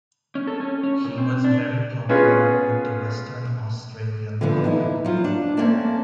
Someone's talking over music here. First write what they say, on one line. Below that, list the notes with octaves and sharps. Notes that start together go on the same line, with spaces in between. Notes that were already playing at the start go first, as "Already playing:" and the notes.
He was very popular with the Western Australian public.
C#4
A4
C#4
C#4
A#2
C4
D4
B3 C#4 F4 G#4 B4
D3 E3 F3 B3
A#2 D#4 E4
F3 F#3 F4
D4
A3 A#3 C4 C#4 D5 A5